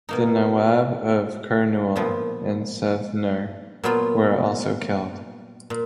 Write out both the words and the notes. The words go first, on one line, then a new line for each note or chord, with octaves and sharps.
The Nawab of Kurnool and Savnur were also killed.
B2 A#3 D#4
A#2 F3 B3
A#2 F#3 B3 F4
A#2